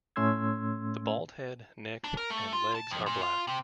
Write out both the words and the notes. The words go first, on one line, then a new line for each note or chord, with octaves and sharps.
The bald head, neck and legs are black.
A2 A3 C#4 C6 E6 G#6
D4
A#4
A3
F4
A5
F2
A#2
F4
C3